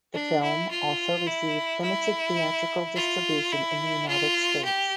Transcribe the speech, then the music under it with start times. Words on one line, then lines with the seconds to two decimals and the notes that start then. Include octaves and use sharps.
The film also received limited theatrical distribution in the United States.
0.14 D4
0.43 E4
0.71 F4
1.27 E4
1.83 E4
2.96 F4
3.52 E4
4.08 F4
4.65 G4